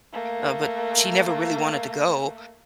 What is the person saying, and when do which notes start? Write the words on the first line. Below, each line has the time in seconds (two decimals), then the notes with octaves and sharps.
uh, but she never really wanted to go,
0.13 A3 A#3